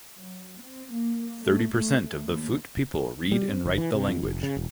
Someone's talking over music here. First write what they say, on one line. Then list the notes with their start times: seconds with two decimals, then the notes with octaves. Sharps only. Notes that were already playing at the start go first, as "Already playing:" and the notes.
Thirty percent of the Fut people read and write the language.
0.17 F#3
0.63 C4
0.94 A#3
1.41 A3
1.74 A3
2.25 D#2
3.32 G3
3.48 C4
3.65 G1
3.78 E3
3.94 C3
4.08 F2
4.23 F1
4.43 C#3
4.57 E1